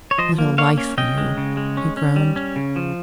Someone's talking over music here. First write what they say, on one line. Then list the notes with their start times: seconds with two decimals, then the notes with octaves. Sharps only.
"What a life for you!--" he groaned.
0.11 C#5
0.18 F3 C5 D#5
0.38 A#3
0.58 A#3 C#5 F5
0.78 C#4
0.98 C#4 D#5 G5
1.18 G#3
1.38 C#3
1.57 G#3
1.77 C#4
1.97 C#4
2.16 G3
2.36 C#4
2.56 C#3
2.76 F3